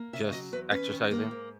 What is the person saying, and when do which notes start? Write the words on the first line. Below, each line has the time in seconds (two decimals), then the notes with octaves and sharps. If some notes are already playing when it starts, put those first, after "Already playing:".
just exercising.
Already playing: A#3
0.13 C#3 E5
0.32 F#3 D#5
0.52 E2 B4
0.71 C#4 B4
0.92 D#3
1.11 A#3
1.31 G#2